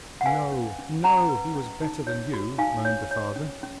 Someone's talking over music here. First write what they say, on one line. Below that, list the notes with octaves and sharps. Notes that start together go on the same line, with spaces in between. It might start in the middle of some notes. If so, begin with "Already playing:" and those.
'No, no, he was better than you!' moaned the father.
F#5
B4 F5 G#5
C#4
C#4
C#4 F#5 A#5
B4
C#4
D#4
C#5
F#4
D#4 F5 G#5
C#5
C#5
C#4
C#4